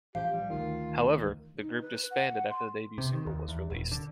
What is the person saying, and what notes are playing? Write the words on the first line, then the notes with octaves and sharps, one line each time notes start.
However, the group disbanded after the debut single was released.
A1 F3 G4 F5
G3
D2 D#3 F4
D#4
B4
F#5
F#5
C6
C3
D#3
D#2
E2
D#1
D3